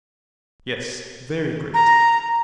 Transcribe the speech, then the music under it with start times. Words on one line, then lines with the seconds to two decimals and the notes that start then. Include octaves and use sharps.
Yes, very great.
1.74 A#5